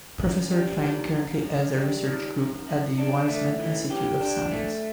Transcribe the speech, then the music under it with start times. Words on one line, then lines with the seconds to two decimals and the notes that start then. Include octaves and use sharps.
Professor Klein currently heads a research group at the Weizmann Institute of Science.
0.20 F#2
0.51 G3
0.82 D#3
1.13 F#2
1.43 F#2
1.75 G3
2.05 D#3
2.36 F#2
2.67 F#2
2.98 D4
3.28 A3
3.59 E3
3.90 G4
4.21 D4
4.52 A3